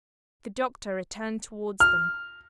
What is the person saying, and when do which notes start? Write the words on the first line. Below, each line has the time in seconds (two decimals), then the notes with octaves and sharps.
The doctor returned towards them.
1.80 F6